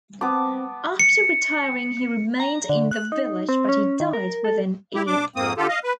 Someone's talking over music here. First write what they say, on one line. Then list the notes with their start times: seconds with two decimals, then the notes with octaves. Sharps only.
After retiring he remained in the village but he died within a year.
0.21 B3 C4 A5 D6
1.00 C#7
2.40 A#5
2.69 D3
2.91 F#6
3.12 D#4
3.49 C4
3.69 C#4
4.00 D#3
4.13 A#4
4.44 A4
4.95 E4 G4
5.07 D4 D6
5.36 F2 G#2 A#3 C4 D#6
5.57 D3 F4 G4 A4
5.68 D#5 F5
5.84 B4